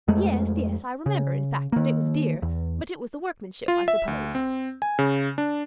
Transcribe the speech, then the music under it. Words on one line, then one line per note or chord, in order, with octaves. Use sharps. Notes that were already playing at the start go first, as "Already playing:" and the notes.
"Yes, yes; I remember, in fact, that it was dear; but it was the workmanship, I suppose?"
F2 G#3 A3
C#3
D#3 A#3
E2
F4
E5
D2
C4
G#5
C#3
D4